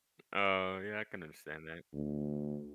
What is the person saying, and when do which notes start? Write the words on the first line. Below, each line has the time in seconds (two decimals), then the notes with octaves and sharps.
Oh, yeah, I can understand that.
1.94 D2